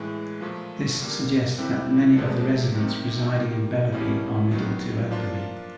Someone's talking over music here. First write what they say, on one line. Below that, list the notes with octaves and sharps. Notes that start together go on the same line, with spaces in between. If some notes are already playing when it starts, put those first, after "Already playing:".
This suggests that many of the residents residing in Bellerby are middle to elderly.
Already playing: A2 E3 G#3
A#2 F3 A3
D3 G3 A#3
D3 G3 C4 E4 G4
C3 F3 G#3 B3 D4
C3 D#3 G3
D#3 G3 A#3
B2 G3 A#3 C#4 E4
D#3 F#3 B3
F3 A#3 D4 F4